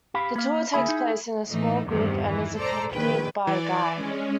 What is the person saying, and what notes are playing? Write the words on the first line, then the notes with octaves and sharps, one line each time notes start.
The tour takes place in a small group and is accompanied by a guide.
G4 F5 B5
A#3 F5 B5
D2 A#3 E4 G#4 B5
D#4
A2 E3 A3 D#4
E2 G2 C3 D#3
D#3 E3
A4 C5 D5 A#5
A#1 D#3 B4 G5
E3 D5
G#3 C#4